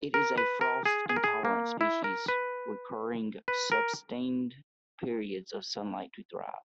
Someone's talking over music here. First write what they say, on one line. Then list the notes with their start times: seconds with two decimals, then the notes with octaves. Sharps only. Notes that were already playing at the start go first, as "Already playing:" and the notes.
It is a frost intolerant species requiring sustained periods of sunlight to thrive.
0.14 A#4
0.38 B4
0.61 A#4
0.86 G#4
1.09 G#4
1.16 A#4
1.24 G#4
1.45 A#3
1.81 E4
2.04 A#4
2.28 B4
3.48 B4
3.72 A#4